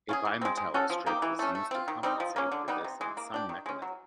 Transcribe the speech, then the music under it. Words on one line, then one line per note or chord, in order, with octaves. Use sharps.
A bimetallic strip is used to compensate for this in some mechanisms.
C#4 F4 G#4
E3
G#3 C4
G#3
C#4 F#4 A4
F3
A#3 D#4 G4
E3
A3 C#4
A3
C4 F4
D#3
G3 C4 D#4
F3
A#3 C#4
D3
G3 B3 D#4
C3
E3 G#3
A#3
D4 G4
D#3
G#3 C#4
F#3